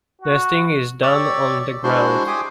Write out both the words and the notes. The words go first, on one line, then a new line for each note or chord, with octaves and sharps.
Nesting is done on the ground.
F#4
G4 C#5 D5 C#6 E6
G#3 D4 E4 F#4 C5 C6
G4 G#4 G5 G#5 C6 D#6